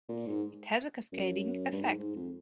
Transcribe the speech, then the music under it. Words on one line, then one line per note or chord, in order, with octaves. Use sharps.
It has a cascading effect.
A#2
G#2
F#2
G2
G#2
G#2
F2